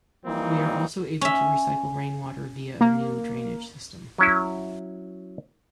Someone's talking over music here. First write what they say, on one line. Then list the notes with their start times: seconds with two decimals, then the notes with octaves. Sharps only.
We are also able to recycle rain water via a new drainage system.
0.25 E3 F3 G3 A#3 C4 D#4
1.21 C#4 E5
2.81 A#3
4.18 F#3 C#4 E4